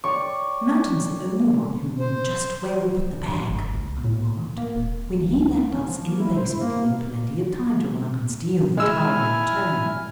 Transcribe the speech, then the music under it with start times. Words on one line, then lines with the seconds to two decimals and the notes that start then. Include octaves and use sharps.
"Manton's the only one who knew just where we put the bag," I remarked. "When he left us in the basement he had plenty of time to run up and steal the towel and return."
0.04 C#5 D5 G5 C#6 D6
2.00 C5
3.28 G2
3.49 G1
3.74 C#2
4.04 A2
4.58 A#3
4.75 D#1
5.20 D2
5.72 C#4
5.86 F3
6.08 A#3
6.19 E4
6.36 C5
6.49 E4
6.61 A#3
8.77 G#3 E4 G#5 E6 F6